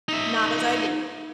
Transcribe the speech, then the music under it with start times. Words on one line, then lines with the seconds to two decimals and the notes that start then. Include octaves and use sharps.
Not as I do.
0.08 D#4 E5